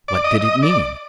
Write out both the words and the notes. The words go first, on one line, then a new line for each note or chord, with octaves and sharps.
What did it mean?
D5
D#5
D#5
D5